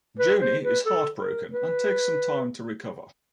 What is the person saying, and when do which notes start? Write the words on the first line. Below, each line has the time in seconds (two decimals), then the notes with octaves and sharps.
Joanie is heartbroken, and takes some time to recover.
0.19 B4
0.42 C5
0.64 B4
0.86 A4
1.19 A#4
1.53 B4